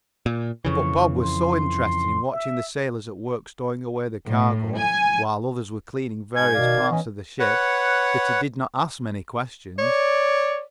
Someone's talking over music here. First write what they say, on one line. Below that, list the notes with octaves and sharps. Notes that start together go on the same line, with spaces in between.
But Bob was so interested in watching the sailors at work stowing away the cargo, while others were cleaning various parts of the ship, that he did not ask many questions.
A#2
F2 C#3 E3 C#6
C6
E5
A2
G#5
G#2 G#5 G6 G#6
B2 D#3 D5 F5
E3 B3 C#4 D#5
B4 C#5 F#5
C#5 D5